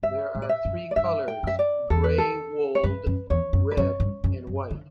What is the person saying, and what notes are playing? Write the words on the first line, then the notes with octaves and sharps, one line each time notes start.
There are three colors: gray wold, red, and white.
G2 E5
A2
D5
E5
F#2
D5
G2 E5
G5
F#2 E5
D5
E2 A4
B4
A4
C#5
F#2 B4
F#2
E2 C#5
F#2
B4
F#2 C#5
G2
F#2
F#2
D3